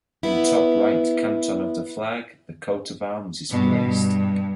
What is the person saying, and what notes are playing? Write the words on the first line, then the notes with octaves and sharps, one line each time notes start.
In top right canton of the flag the Coat of Arms is placed.
B3 E4
G2 B2
G2